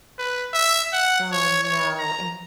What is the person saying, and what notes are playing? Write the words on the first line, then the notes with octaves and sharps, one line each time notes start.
Oh, no, and
B4
E5
F#5
C#5
C#5
A#5